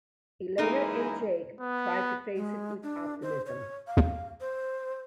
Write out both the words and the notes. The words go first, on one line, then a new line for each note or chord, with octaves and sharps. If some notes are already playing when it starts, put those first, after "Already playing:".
Elena and Jake try to face it with optimism.
F#2 E3 G#3 A#3 D#4 A#4
B3
G#3
D4
C5
C#5
F5
C5